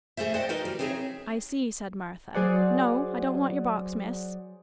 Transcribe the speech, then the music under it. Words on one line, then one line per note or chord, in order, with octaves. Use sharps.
'I see,' said Martha; 'no, I don't want your box, miss.
A3 G#4 A4 C5 E5
C5 D5 D#5 F#5 G5
D#4 F#4 A#4 B4 D#5
G3
C4 D#4 G#4 C#5 E5
F#3 G#4 C5 D5 F#5